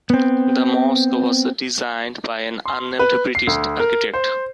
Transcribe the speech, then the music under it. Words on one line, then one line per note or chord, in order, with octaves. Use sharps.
The mosque was designed by an unnamed British architect.
B3 C4
C6
B4
C7
D2
A#4
C5